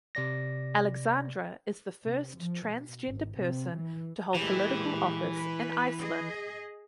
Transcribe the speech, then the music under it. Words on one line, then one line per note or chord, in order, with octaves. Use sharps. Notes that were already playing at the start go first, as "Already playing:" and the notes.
Alexandra is the first transgender person to hold political office in Iceland.
C3 D5 A#6
C3
F3
B2
G#1
C3
E3
A#2 E3 G#3 G4
B4
G#4 D#5